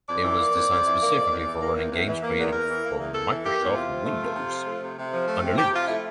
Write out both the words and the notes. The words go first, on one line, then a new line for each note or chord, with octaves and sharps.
It was designed specifically for running games created for Microsoft Windows under Linux.
F2 D5
E3
A#3
F2
F2
E3
A#3
F2
E2
E3
A#3
E2
E2
E3
A#3
E2
E2 A#4
E3
A#3
E2
E2 A4
E3
A#3 G4
E2
C3 F4
F3
A3
C3
C3
F3
A3
C3
C3
F3
A3
C3
C3 G4
F3 F4
A3 E4